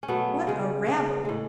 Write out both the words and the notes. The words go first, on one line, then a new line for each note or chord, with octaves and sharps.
What a rabble!
C#4
B2 F#3 A3 B3
C#3 G#3
C#3 G#3
A2 G#3